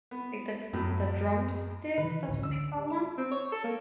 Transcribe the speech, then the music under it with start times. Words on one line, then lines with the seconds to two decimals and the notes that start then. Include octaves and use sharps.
like, the Dr the Drumsticks, that's what they call 'em?
0.11 B3
0.73 F#2 A2 F#3 B3
1.98 C3 D#3 E3 B4
2.28 A1 D2 C#4
2.43 D3 E6
3.18 C4
3.31 C#5
3.52 A4
3.64 A#3